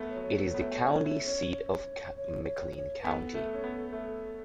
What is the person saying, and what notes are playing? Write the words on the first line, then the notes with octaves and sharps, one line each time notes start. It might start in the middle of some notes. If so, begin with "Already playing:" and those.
It is the county seat of McLean County.
Already playing: A3 B3
C#5
F#3
F#3
B3
A3
C#4
E4
C#4
C#5
C#5
C#5
B3 A4
A3
C#4
B3
A3